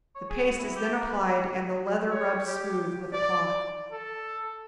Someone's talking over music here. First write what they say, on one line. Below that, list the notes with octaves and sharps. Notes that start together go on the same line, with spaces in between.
The paste is then applied, and the leather rubbed smooth with a cloth.
C#5
G#4
F#4
E4
G4
A#4
B4
C#5
G4
D5
A4